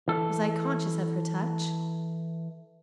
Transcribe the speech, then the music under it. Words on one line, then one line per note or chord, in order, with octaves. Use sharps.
Was I conscious of her touch?
E3 A4